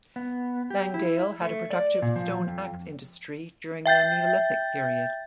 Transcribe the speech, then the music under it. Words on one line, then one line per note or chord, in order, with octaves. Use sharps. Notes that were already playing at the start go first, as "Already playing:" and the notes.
Langdale had a productive stone axe industry during the Neolithic period.
B3
G4
E4
A3
D5
A#2
F3
F2
E5 G5 G6 A6